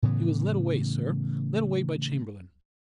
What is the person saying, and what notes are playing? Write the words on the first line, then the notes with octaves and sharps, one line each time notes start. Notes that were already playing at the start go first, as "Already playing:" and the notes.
He was led away, sir, led away by Chamberlayne.
A2 C#3 E3 B3